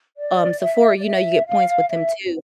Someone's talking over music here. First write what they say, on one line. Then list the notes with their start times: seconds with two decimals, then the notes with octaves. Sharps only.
um, Sephora. You know, you get points with them too,
0.17 D5
0.60 E5
0.95 D5
1.03 E5
1.46 F5
1.90 E5